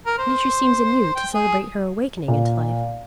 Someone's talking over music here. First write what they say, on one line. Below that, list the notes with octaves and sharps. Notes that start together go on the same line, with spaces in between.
Nature seems anew to celebrate her awakening into life.
A#4
C5
G5
G#4
A#2